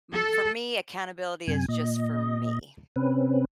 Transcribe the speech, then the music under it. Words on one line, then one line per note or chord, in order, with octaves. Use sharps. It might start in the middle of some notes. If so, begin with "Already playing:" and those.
mm, for me, accountability is just for me.
A4
F#2 C3 G#5
A#2 D#5
C3 C4 C#4 B4